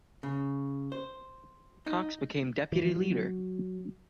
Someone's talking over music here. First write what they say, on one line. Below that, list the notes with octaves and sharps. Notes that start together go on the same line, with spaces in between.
Cox became deputy leader.
C#3
C5
D#4
E3
F#3